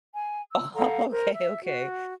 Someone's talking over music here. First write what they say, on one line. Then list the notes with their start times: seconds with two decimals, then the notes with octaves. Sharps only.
Oh, okay, okay,
0.14 G#5
0.51 E6
0.74 A4 F5 F#5 A#5
1.11 A#4 C5
1.32 E5
1.63 F#4